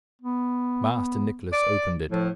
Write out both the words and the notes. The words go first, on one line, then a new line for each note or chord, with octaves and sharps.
Master Nicless opened it.
B3
D5
A2 F3